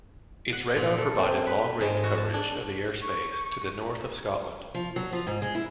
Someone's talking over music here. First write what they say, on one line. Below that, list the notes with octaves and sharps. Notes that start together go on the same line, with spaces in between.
Its radar provided long-range coverage of the airspace to the north of Scotland.
F#5
A#2
A4
C4
B4
G#2
F#4
A5
D4
C#6
F3
F#3
F3
G#2
G#3
E4